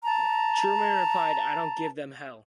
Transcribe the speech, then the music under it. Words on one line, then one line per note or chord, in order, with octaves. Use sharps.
Truman replied, I don't give them Hell.
A5 A#5